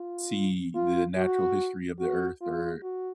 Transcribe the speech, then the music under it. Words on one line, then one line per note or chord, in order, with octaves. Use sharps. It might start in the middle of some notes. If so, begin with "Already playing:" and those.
see the natural history of the earth or,
Already playing: F4
F4
F#4
F#4
F4
F#4